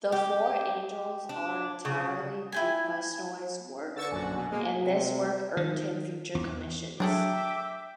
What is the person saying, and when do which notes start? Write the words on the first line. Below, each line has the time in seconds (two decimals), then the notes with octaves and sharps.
The four angels are entirely Duquesnoy's work, and this work earned him future commissions.
0.12 G4
1.29 D4
1.85 C#3
2.52 E4 G5 G#5
3.96 D3 B4 C#6 E6 A6
4.11 A#1 F#2 F#4 G#5
4.37 B2 G#5
4.51 G#3 A#3
4.84 C3
5.57 D#3
6.35 E2
7.00 F#3 D4 G#4 A4 E5 G5 D6